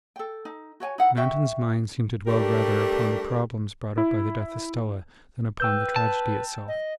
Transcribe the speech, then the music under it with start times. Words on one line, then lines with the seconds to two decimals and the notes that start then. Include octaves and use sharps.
Manton's mind seemed to dwell rather upon the problems brought up by the death of Stella than upon the tragedy itself.
0.16 A4 G5
0.45 D#4
0.80 F#4 C#5 G5 G#5
0.98 D#4 E4 F#5
1.17 F#4 E5 G5
2.27 G3 A3 D4 G4 A#4
3.98 E4
5.60 B4 G5 E6 G6
5.96 A5
6.68 D#5